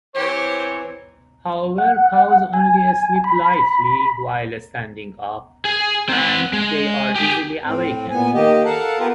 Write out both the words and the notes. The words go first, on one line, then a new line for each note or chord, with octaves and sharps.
However, cows only sleep lightly while standing up, and they are easily awakened.
E3 C4 G4 C5 C#5
F#5
G#5
B5
G#4
C4 F#5
G#3
G4 G#4
A2 C4
A#2 B3 G#5
D#3 A#3 G4 D#5
A4 A#4 F5 F#5 A5
B3 F4 G4 A#4 B4